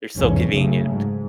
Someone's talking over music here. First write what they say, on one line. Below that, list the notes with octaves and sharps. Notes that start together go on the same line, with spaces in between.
they're so convenient,
F1 B1 E2 G#2 E3 C#4
F#2 C#3 F#3 A3
G#2